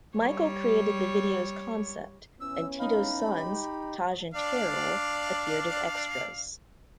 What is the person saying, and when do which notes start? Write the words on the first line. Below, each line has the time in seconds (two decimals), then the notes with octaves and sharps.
Michael created the video's concept, and Tito's sons Taj and Taryll appeared as extras.
0.17 G3 C#5
2.41 E3 B3 C#4 E6
2.79 D#4 F5 B5
3.28 G4
4.34 D4 D5 F5